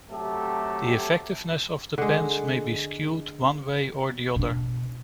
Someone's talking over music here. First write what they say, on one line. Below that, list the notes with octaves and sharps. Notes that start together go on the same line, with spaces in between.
The effectiveness of the pens may be skewed- one way or the other.
C3 F#3 A3 G4 A4
D3 G#3
B2 D4